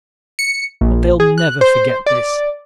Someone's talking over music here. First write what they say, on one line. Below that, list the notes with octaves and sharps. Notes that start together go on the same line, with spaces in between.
But they'll never forget this.
C#7
A#1
G#4
F#6
C5
D5